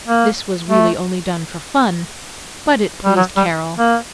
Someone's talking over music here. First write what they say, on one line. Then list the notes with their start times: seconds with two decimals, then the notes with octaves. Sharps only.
This was really only done for fun, but it pleased Carol.
0.07 A#3
0.69 A3
3.04 G3
3.16 F#3
3.36 G3
3.77 A#3